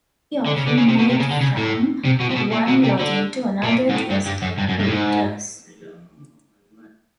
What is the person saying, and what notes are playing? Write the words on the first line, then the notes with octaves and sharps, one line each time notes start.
He often moved from one lodging to another to escape creditors.
D3
C#3
D3
C#3
C3
B2
C3
C#3
D3
C#3
A2
C3
B2
C3
B2
A#2
B2
C3
D3
A#2
G#2
A2
G2
G2
F#2
G2
F#2
G2
A2
G#2